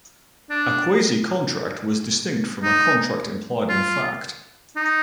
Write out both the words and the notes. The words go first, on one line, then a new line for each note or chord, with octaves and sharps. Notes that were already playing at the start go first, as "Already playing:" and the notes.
A quasi-contract was distinct from a contract implied in fact.
D4
D#4
F4
D#4